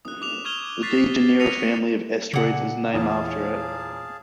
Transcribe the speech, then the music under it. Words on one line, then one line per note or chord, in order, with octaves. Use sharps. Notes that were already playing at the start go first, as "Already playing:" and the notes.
The Dejanira family of asteroids is named after it.
D#6 F#6
D6 F7
C#6 F6 G#6 E7 F7 G7
C#6 D6 F#6 A6 B6 C7
A#6 C#7 D#7 F7
A#2 C#3 F#5
E2 G#4 C#5 F5 A5